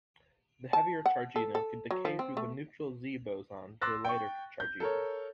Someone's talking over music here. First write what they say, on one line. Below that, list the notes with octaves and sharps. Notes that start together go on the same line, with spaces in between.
The heavier chargino can decay through the neutral Z boson to the lighter chargino.
A5
F#5
A4
A4
F#3
F3
C4
A3
C6 D6 E6 F#6 A6 A#6
G5 C#6
G6
A4 A#4 C#5